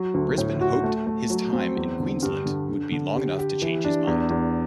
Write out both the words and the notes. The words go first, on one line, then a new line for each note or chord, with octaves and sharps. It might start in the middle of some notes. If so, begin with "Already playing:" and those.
Brisbane hoped his time in Queensland would be long enough to change his mind.
Already playing: F#3
D2
A2
F#4
A3
A3
F#3
C4
E2
D3
G2
D3
D3
D3
G4
G4
E3
D4
E2
E2